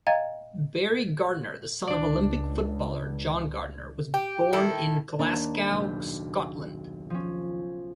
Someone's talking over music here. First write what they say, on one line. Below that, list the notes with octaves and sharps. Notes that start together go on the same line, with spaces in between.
Barry Gardiner, the son of Olympic footballer, John Gardiner was born in Glasgow, Scotland.
D#5 F5 G5 A#5 G#6 A6
C#2 D4 D5
G4 G5
D#3 E4 A4
D#2 D4 A#4
B5
F#1 B1 G6
F3 C#4